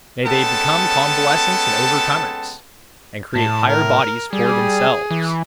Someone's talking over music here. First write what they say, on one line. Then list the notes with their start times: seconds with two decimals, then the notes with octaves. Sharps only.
May they become convalescents and overcomers, and create higher bodies for themselves!
0.25 G#3 B3 C#4 A4 G5 A5
3.35 A2 A5
3.70 A#4
4.33 G3 G#4
5.11 E3